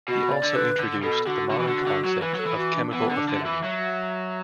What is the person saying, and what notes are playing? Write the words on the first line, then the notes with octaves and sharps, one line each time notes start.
He also introduced the modern concept of chemical affinity.
B2 F#4
D5
D3
B4
D3
B2 A4
D3 F#4
D3
E3
D3
D3
F#3
E3 B4
F#3
A4
E3
F#4
D4
E3 B3
D3
D4
D3
E5
E3
F#3